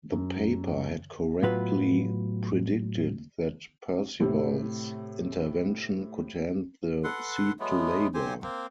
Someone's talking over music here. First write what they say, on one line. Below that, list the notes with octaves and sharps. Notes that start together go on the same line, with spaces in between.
The paper had correctly predicted that Percival's intervention could hand the seat to Labour.
F#2
A2 F#3 B3 F4 B4
A2 C3
A4 B4 F#5 C6
F#3 G#3 A3 B3
C4 G4 C5 G#5
A#3 C4